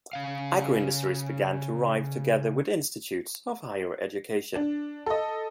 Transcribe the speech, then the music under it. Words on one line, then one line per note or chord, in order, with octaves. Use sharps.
Agroindustries began to arrive together with institutes of higher education.
C#3 F5
D4
A4 D#5